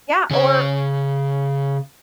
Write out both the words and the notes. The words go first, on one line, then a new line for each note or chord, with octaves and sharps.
Yeah, or
C#3 C#5